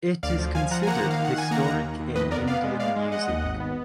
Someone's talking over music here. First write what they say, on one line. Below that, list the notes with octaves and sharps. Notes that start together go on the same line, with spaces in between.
It is considered historic in Indian music.
D2 D5 F5
F3
F3 F5 G#5
F3 F#5 A#5
G#5
A#3 F#5 A#5
D#3
F5
D#3
F#5
D#3 G#5
A#3 F#5 A#5
D#2
D#2
D#2
F2 B4 D#5
B3 A#4 D5
B3 D5 F5
G#3
G#3 D5 F5
G#3
G#3 D#5 F#5
D#2
G#1
B3